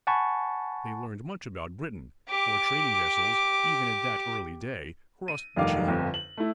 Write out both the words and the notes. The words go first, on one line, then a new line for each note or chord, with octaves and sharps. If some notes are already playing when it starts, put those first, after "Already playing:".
They learned much about Britain; for trading vessels, even at that early day, crossed the Channel.
F#5 G#5 A5 B5 C#6
G4 D6
D#7
F1 G2 D#3 F5 D6
G1 F2
F#7
A3 E4